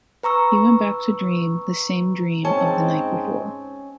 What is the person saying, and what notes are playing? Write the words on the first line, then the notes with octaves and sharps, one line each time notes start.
He went back to dream the same dream of the night before.
B4 A#5 C#6 E6
G#2 G#3 C4 C#4 A5